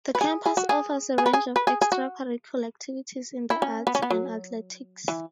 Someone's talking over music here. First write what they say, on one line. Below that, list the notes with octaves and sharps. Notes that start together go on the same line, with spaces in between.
The campus offers a range of extra-curricular activities in the arts and athletics.
B4
G#4
G#4
F#4
G#4
G#4
B4
G#4
B4
G#4
G#4
F#4
E4
C#4
B3
C#4
B3
F#3
E3